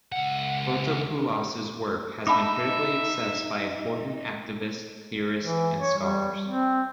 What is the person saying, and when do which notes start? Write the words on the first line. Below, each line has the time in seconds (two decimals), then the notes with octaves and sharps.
Fotopoulos' work has been critically assessed by important activists, theorists and scholars.
0.12 C#2 F#5
2.27 D#4 E5 A5 B5 D6
5.41 E3
5.79 C#5
5.98 G3
6.47 C4